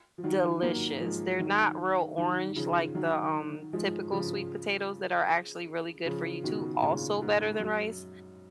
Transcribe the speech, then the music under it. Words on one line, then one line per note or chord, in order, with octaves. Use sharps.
delicious. They're not real orange like the, um, typical sweet potatoes that are actually really good for you too, also better than rice,
F3
D#3 F#3
F#3 A#3
F3 G#3
D#3 F#3
D#3 F#3
C#3 F3
D#3 F#3
F3 G#3
C#3 F3
C#3 F3
B2 D#3
A#2 C#3
G#2
F#2